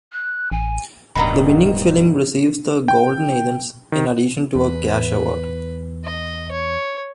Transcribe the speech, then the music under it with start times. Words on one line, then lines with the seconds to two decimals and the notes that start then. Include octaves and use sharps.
The winning film receives the Golden Athens in addition to a cash award.
0.13 F#6
0.52 A1 G#5
1.15 D1 G2 B2 D#3 A#5 B5
2.88 G5
3.92 D#3
4.55 E2 B4
6.04 D#5
6.51 C#5